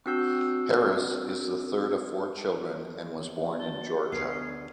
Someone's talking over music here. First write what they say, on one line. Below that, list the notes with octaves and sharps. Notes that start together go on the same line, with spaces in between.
Harris is the third of four children and was born in Georgia.
C4 D4 F#4 E6 G6
F#3 A#3 D4 A5 G7
D2 B3 C#4 D4 C7